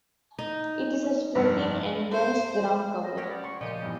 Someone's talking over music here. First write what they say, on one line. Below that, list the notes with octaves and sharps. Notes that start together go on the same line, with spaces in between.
It is a spreading and dense ground cover.
D#4
F1 G2 E6
C5
D#5
A3 C#4 G4 B4 F#5
D5
C6 C#6
A#2 C#3 F3 G4 D#5
E2 G2 G3